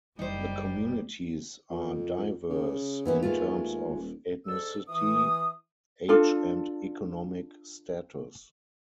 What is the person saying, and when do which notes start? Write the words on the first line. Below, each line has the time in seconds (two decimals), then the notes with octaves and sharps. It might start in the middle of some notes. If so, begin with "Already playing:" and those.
The communities are diverse in terms of ethnicity, age and economic status.
0.19 F#1 G3 D#4 C5
1.70 F2
2.49 C#3
3.05 D#2 E3 B3 C#4
3.23 G#3 A3 F4
3.95 D#1
4.46 G#2 D4 A4 E6
4.88 E3 D#6
6.09 D4 F4 A4